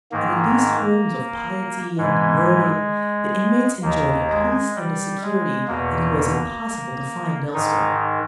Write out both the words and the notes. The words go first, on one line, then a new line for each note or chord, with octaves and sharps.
And in these homes of piety and learning the inmates enjoyed a peace and a security that it was impossible to find elsewhere.
G#2 D#3 A#3
G#2 E3 G#3
D#2 D#3 A#3
G#3
G3
G#3
E2 B2 A#3
G#2 D#3 D#4